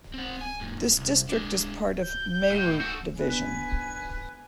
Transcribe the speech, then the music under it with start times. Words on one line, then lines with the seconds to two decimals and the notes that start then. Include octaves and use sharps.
This district is part of Meerut Division.
0.14 C4 F#5
0.41 G#5
0.61 F#2 A#2
0.96 C2
1.29 G#3 D4
2.02 G6
2.51 A2
2.81 F#4 A4
3.19 B3 D4 B4 G#5